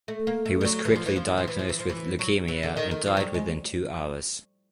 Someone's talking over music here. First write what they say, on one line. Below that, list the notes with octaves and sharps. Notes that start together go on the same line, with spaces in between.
He was quickly diagnosed with leukemia, and died within two hours.
A3
A#3
A3
G3
F#3
E3
F3
E3
F3
E3
F3
E3
F3
E3
F3
E3
F#3
E3
D3
D#3
D#3
F3
F#3
G3
G#3